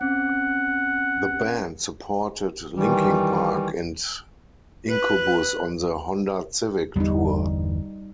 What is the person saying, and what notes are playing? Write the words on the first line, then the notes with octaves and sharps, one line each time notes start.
The band supported Linkin Park and Incubus on the Honda Civic Tour.
C4 C#4 F#5
D#3 E3 G3
B4 F#6
G1 E2 G3 B3 D#4